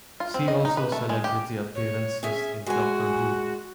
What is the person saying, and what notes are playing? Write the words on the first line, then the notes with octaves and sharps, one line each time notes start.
See also Celebrity appearances in Doctor Who.
F4
C4
D#5
D#4
B4
A3
G#3
G4
C#5
C#4 G#4 E5
G#3 F#4 G#5